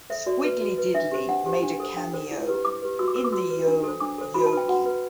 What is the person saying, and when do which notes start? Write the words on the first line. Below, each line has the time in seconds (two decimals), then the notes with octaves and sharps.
Squiddly Diddly made a cameo in the Yo Yogi!
0.10 A4 C5 E5
0.26 F#4 D5
0.44 B4
0.61 F#4
0.78 B4
0.95 D4 E5
1.12 G4 C5
1.29 D4 F#5
1.46 G4 C5
1.63 D4
1.80 A4 C5
1.97 D4 G5
2.13 A4 C5
2.31 E4
2.48 G4 B4
2.65 E4 D6
2.82 G4 B4
2.99 F#4 E6
3.08 D6
3.16 B4 E6
3.24 D6
3.32 F#4 E6
3.50 B4
3.67 D4
3.83 A4 C5
4.00 D4 D6
4.18 A4 C5
4.34 F#4 B5
4.46 A5
4.53 B4 G5
4.68 F#4 F#5
4.86 B4